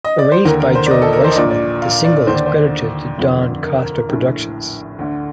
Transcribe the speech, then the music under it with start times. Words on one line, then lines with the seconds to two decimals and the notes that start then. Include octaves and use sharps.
Arranged by Joe Reisman, the single is credited to Don Costa Productions.
0.05 D#5
0.19 D5
0.32 C5
0.45 D#2 D3 A#4
0.60 A#4
0.75 C5
0.87 D5
0.91 D#5
1.02 A4
1.13 A#4
1.24 C5
1.31 D#5
1.36 A#1 A#2 D5
1.51 D5
1.82 F5
2.05 D5
2.27 D#2 D3 C5
2.36 D5
2.46 C5
3.17 F1 F2 D3
3.63 A#4
3.78 A#4
3.93 A#4
4.09 A#1 A2
4.99 D2 D3